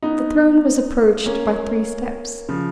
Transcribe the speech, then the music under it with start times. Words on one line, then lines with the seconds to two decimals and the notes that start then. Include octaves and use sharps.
The throne was approached by three steps.
0.02 B3 D#4
1.26 A#3 C#4
2.49 C#3 F3